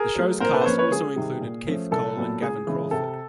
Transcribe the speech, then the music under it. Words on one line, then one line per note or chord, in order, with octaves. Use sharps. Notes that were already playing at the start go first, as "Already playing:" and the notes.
The show's cast also included Keith Cole and Gavin Crawford.
Already playing: G#4 A#4
F#3 A3
A#2 A#4 C5
A4 B4
C5
F3 A#3 C#4 B4 C#5
B4 C#5
C#2 G#4
C3 D#3 G3
A#2
F3 A3 C#4
C2 A4
A#2 F#3 B3
C#2 G#4
C#3 E3 G#3
C3 A4